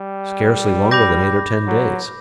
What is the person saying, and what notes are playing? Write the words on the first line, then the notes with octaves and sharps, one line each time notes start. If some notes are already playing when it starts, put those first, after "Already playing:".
"Scarcely longer than eight or ten days."
Already playing: G3
B5 D6 G6 A#6
F#3